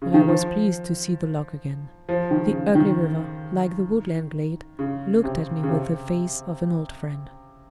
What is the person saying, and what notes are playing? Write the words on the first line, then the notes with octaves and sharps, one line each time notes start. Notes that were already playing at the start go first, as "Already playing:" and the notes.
But I was pleased to see The Loke again. The ugly river, like the woodland glade, looked at me with the face of an old friend.
C#3
D#3
F3
F3
D#3
C#3
D#3
C#3
C3
C#3
C3